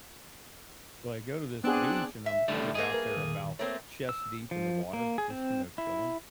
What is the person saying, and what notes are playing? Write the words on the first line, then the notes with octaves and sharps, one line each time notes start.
so, I go to this beach, and I'm kind of out there about chest deep in the water just, you know, chilling
B3 C4 D4 G#4 F#6
E5
A2 D3 G3 A3
G2 A3 A#3 G#4 D#5
A#4 B4
E2 A#2 D#3
A3 A#3 C4 C#5
E6
F3
A#3
G#4
C4
E4